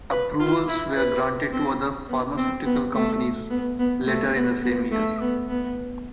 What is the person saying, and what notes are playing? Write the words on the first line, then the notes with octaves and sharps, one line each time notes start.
Approvals were granted to other pharmaceutical companies later in the same year.
B4
F4
E4
B4
C4
B3
C4
B3
A3
B3
B3
A3
B3
B3
A3
B3
B3